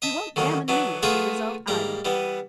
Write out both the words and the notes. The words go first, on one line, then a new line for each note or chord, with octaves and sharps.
You won't gammon me as to the result, either.
D#5 E5 A5
D3 D#3 F#3 A#3
E3 F#3 B3 D4
A3 B3 F4 G#4 E5 F5
G#2 G3 A#3 A#5
E3 G3 B3